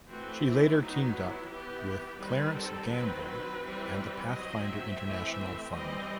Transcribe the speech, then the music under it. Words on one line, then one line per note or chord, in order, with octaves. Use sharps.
She later teamed up with Clarence Gamble and the Pathfinder International Fund.
E3 A3 C4 F#4
E4
F#3 B3 D#4
E4
E3 B3 G4
D#3 G3 C4 B4
A4
D#3 F#3 C4 B4
B4
E3 G3 C4
F#3 D#5
C4
E5
E3 A3 C4
E3 G3 C4 D#5